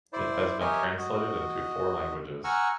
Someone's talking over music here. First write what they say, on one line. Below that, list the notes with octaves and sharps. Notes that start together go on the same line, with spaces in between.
It has been translated into four languages.
E4 C5 D5
G4 A#4 C#5 D#5 E5 G#5
F#4 D#5
F#5 G#5 A#5 C#6 E6 F6